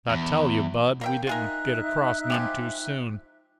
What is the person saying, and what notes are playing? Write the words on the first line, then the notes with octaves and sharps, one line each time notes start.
And I tell yuh, Bud, we didn't get across none too soon.
E2
A#3 E5 G5
D#4 F4 G#4 A#4 E5 F#6
F3 G#3 G4